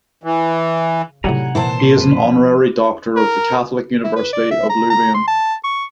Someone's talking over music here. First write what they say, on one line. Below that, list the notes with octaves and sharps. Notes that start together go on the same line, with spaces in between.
He is an honorary doctor of the Catholic University of Louvain.
E3
A2 C3 D#3 F#3 G3 F#5 G#5 A#5
A#2 E3 C5 A5
C#4 C6
F#2 F3 B4
A#4
E4
B4
D5
E5
A#5
A#5
C6
A5
C#6